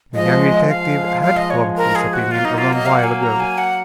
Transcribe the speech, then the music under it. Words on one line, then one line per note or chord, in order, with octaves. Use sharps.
The young detective had formed his opinion a long while ago.
F3 G#3 D#5
F3 G#3 F5
F5
D#5
C#5
A#4
G#4
F#4
F#3 A#3 F4
D#4
F4
D#5
F5
F#5
G#5
A#5
G#5
F#5